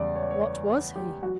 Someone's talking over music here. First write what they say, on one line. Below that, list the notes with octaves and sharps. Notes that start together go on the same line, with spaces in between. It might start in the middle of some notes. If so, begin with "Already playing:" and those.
What was he?
Already playing: E2 C#3 G3 D5
C#5
D5
C#5
G4
F#3 F#4